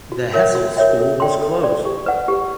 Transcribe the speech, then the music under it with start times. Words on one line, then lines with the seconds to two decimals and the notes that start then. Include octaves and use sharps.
The Hessel School was closed.
0.12 F#4
0.33 A#4 C#5 E5 G5
0.55 F#4
0.77 A#4 C#5 E5 G5
0.98 A4
1.20 D5 G5 C6
1.41 A4
1.63 D5 G5 C6
1.85 G4
2.06 B4 D5 F#5
2.28 G4